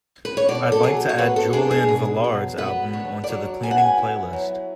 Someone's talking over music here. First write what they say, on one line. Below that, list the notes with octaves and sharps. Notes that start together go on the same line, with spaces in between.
I'd like to add Julian Velard's album onto the cleaning playlist.
B4
C#5
B2 D5
A4
F#3 G#4
C#5
B3 B4
A4
D4 G#4
G#4
B2
F#3
B3 B4
D4 C#5
D5
F#3 C#5
B3 G#5
F#5
G#5
E4
F#3